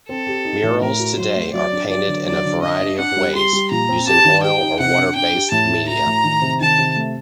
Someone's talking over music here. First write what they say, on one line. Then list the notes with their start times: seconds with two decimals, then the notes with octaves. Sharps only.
Murals today are painted in a variety of ways, using oil or water-based media.
0.09 C4 A4
0.27 G4
0.45 D#4
0.63 A2
0.82 A2 A#4
0.99 F#4
1.17 F#3 C5
1.35 A3
1.53 F#3 D5
1.72 D4
1.90 F#3 D5
2.08 D3
2.27 F#3 D5
2.45 D3
2.62 D4 D#5
2.80 D4
2.98 D4 F#5
3.17 G3
3.35 G3 C6
3.53 G3
3.71 A#2 A#5
3.89 C4
4.07 G4 A5
4.25 D#3
4.43 G4 G5
4.61 D#4
4.80 C3 F#5
4.97 D4
5.15 D4 G5
5.34 G4
5.51 A2 A5
5.70 A3
5.88 F#4 A#5
6.07 A2
6.24 D#3
6.42 C3
6.61 D#3 A5
6.79 C3
6.96 A3